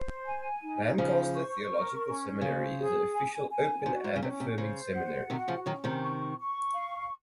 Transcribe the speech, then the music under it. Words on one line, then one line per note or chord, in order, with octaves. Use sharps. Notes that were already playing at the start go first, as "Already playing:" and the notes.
Lancaster Theological Seminary is an official Open and affirming seminary.
Already playing: C5
G#5
D#4
C#3 F3 C5
C#6
A#4
C#4
C#3 C5
G#4
G#5
G#5
C3 F#4
G#2
C#3
C3 C#4
C3
C#3 C5
F#5
C3 D#3 F#4
C#3 F3
D#3 F#3 C#4
C3 D#3
C#6
C#6
F5